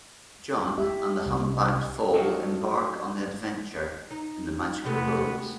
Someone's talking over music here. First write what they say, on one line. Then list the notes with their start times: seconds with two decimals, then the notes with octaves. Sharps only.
John and the Humpbacked Foal embark on an adventure in the Magical Roads.
0.78 G4 E5
1.26 C2
2.13 F3 F#3 A3 D4 D#4 F#4
4.11 D#4
4.85 C3 G#3 A3 B3